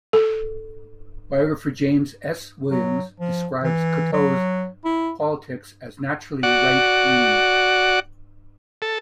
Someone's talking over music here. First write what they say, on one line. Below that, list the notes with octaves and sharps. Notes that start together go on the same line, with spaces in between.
Biographer James S. Williams describes Cocteau's politics as naturally Right-leaning.
A4
F#3
F3
E3
F#3
E4
F#4 D5 F#5
A4